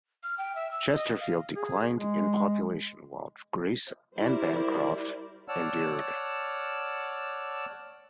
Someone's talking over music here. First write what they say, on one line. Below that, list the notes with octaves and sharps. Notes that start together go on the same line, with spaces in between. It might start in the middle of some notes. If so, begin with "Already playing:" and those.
Chesterfield declined in population while Grace and Bancroft endured.
F6
G5
E5
E6
D#5
F5
G#4
G#3
G3 E4 A#4 C5 D5
C#5 D5 F#5 A5 E6 F6